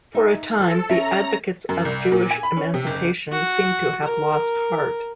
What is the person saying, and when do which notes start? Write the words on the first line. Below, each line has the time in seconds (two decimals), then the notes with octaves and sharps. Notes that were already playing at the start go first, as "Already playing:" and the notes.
For a time the advocates of Jewish emancipation seemed to have lost heart.
0.15 D#4 E5
0.60 F3 A4
0.90 C#4 E5 A#5
1.69 F#2
1.85 C2
2.12 A#2
2.31 G#5
2.43 B5
2.57 C#4
2.74 C3
2.86 F#1
3.32 F#4
4.04 A#4